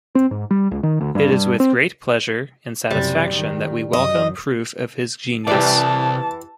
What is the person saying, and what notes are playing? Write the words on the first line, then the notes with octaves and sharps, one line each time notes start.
It is with great pleasure and satisfaction that we welcome proof of his genius.
C4
G#2
G3
C#2
D#3
D2
G2
G2
C4
F#1 C3 G3
D#3
F#2 D#5
C3 E3 G4 D5 A5